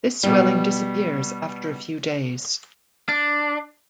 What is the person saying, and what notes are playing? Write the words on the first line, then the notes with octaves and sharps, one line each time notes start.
This swelling disappears after a few days.
B2 G3
D4